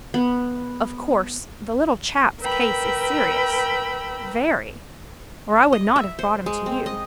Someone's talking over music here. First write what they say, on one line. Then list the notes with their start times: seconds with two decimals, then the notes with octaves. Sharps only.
"Of course the little chap's case is serious--very--or I would not have brought him to you."
0.14 B3
2.41 A#4 B4 G5 B5 E6
5.73 D#5
5.96 E5
6.19 C5
6.46 G#3
6.66 C4
6.86 D#5